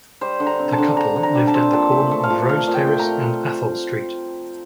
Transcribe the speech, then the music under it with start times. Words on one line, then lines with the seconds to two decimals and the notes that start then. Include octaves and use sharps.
The couple lived at the corner of Rose Terrace and Atholl Street.
0.21 G3 C5
0.40 D3
0.47 A#5
0.59 C4
0.72 A5
0.78 D3
0.97 D3 A#5
1.16 D3
1.23 A#5
1.35 G3
1.47 A5
1.55 C4
1.73 A#2 A5
1.92 A3
2.11 A3
2.23 F5
2.30 F3
2.49 A3 F5
2.68 A#2
2.74 G5
2.87 A3
2.99 A#5
3.06 A#2